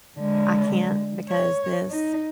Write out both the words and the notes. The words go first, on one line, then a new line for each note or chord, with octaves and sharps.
"I can't because 'this'"?
D3 G#3
C#5
D#4